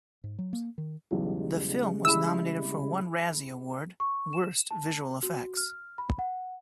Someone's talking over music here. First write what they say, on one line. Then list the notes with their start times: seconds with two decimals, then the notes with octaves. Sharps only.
The film was nominated for one Razzie Award, Worst Visual Effects.
0.24 G#2
0.39 F#3
0.53 A#3
0.78 D#3
1.11 B1 E2 C#3 G3 G#3
2.05 E4 G#4 B5 E6
4.00 C#6
4.33 E7
4.71 A5
5.23 F#4
5.57 F6
5.98 B5
6.19 F#5